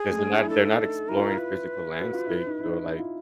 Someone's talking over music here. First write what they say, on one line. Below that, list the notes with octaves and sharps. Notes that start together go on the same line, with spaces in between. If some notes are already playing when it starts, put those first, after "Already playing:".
'cause they're not they're not exploring physical landscapes or, like,
Already playing: G#4
A3
D4
E4
D#4 A4
E4 A#4
F4
E4
B4
F#4
F4
E4
D#4
E4
D#4
E4
F4